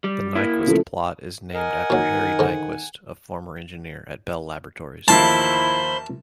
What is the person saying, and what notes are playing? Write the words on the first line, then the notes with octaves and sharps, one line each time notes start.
The Nyquist plot is named after Harry Nyquist, a former engineer at Bell Laboratories.
G3
A#3 E4
C#3 F3 A3
A#4 D#5 F#5 G#5
A#2 D#3 F#3
G#2 D3
A1 D#2 F3 E4 C5 A5 B5 C6